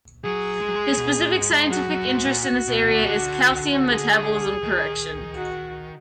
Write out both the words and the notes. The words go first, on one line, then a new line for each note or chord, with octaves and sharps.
His specific scientific interest in this area is calcium metabolism correction.
F#3 G#4
G#3
F#3
G#3
B2
A#2
G#2
G#2
F#2 F#4
F#2
G#2
A#2
F#4
B2
D3
B2
D3
G#4
D#3
F#4